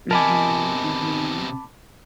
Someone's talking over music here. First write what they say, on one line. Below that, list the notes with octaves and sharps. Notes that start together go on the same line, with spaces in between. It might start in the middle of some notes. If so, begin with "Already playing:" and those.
Mhm. Mhm.
C3 B3 A#4 D#5 G#5 A5 B5 D6